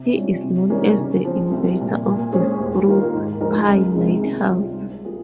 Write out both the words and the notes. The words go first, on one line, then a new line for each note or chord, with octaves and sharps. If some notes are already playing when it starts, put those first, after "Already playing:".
He is known as the inventor of the screw-pile lighthouse.
Already playing: C3
G3 C#4 F4
C3
D#3 G3 A#3 C#4
C#3
F3 C4
C2
A#2 G3
A#2
G#3 C#4 G#4 C5
D#2
D#3 A#3 F4 A#4
G#2
F3 G#3 D#4 A#4
C#2
C3 D#3 G#3
C3
G3 C#4 F4
G3
A#3 F4 G#4